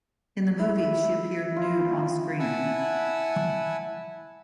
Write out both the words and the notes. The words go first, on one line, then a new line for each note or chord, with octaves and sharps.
In the movie, she appeared nude on-screen.
E4
F4
E4 F#5 G#5 A5 E6